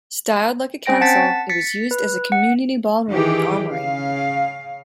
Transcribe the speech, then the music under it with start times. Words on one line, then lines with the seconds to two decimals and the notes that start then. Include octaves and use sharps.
Styled like a castle, it was used as a community ballroom and armory.
0.86 C4 C#4 C5 G5 A#6 D7
1.01 F#5 A5 A6 B6
1.49 A6 B6 C#7
1.91 B4
2.32 F#5
3.10 D#3 E3 G4 G#4
3.72 C#3 F5